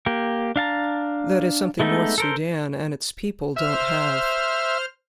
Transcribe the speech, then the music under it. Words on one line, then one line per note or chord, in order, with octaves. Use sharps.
That is something North Sudan and its people don't have.
A#3 G4
D4 F5 A5 A#5
G#3 A3 B3 D#4 A4
A4 A#4 C5
C5 E5 F6